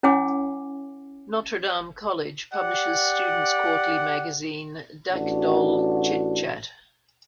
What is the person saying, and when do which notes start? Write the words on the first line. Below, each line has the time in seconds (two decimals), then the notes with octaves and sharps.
Notre Dame College publishes students' quarterly magazine "Dhak Dhol - Chit Chat".
0.03 C#4 E4 C#5 F#5 G#5 D6
2.54 G4 D5 F#5
5.09 A1 D4 F#4